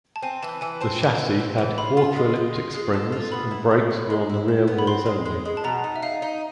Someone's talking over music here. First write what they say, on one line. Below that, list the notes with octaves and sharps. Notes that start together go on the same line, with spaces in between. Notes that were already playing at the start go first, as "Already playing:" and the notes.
The chassis had quarter elliptic springs and brakes were on the rear wheels only.
A5
C4 G#5
E3 A5
E3 G#5
C4 A5
E3
E3
C4
E3
F4 B5
F4
G#3
G#3
F4
G#3
A4
F4
B3 B5
E4
G#3
E4
G#3
E4
E4
B3
B5
C4 C6
G#3
G#3
G#3
A5
B2 A#5
D#4
E5
D#4 F5
D#4